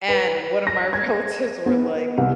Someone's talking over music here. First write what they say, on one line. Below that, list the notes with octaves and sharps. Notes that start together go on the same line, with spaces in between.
and one of my relatives were like,
B4
A#6
G#6
B3
C2